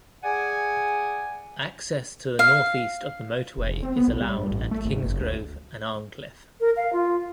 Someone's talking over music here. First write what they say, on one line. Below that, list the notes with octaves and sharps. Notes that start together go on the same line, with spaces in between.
Access to the north east of the motorway is allowed at Kingsgrove and Arncliffe.
G#4 D5 F#5 G#5
F5
F1
C4
B3
B1
G3
G2
A1
A3
G#1
F#1
D2
A#4
F5
F4